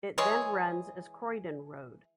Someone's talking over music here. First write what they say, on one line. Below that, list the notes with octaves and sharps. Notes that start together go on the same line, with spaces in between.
It then runs as Croydon Road.
E3 G#3 G#4 C#5